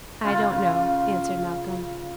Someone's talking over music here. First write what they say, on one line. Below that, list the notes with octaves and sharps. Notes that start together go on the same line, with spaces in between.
"I don't know," answered Malcolm.
C#3 F4